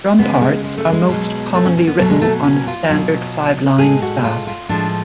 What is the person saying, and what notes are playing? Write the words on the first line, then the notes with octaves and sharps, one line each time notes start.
Drum parts are most commonly written on a standard five-line staff.
C#3 G#3 B3
G#3
G#3
A3
G#3
B2
F#3
A3
C#4
C#4
B3
B2 F#3 A3
G#3
A3
C#4
F4
B2 F#3
A2 G#3 G#4
F#4
F4
F4
A2 F3 G#3 D4